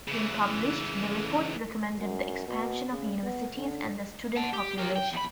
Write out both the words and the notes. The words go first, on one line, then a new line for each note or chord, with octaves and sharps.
When published, the report recommended the expansion of universities and the student population.
C#3 E3
F#2
B2
C#3
B3
D3
F#5 A5
G4
G4 A#4
G5
E2 B5